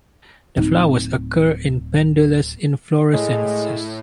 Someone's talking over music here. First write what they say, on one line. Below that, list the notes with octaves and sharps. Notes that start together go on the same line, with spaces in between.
The flowers occur in pendulous inflorescences.
D1 D#4
A2 G#3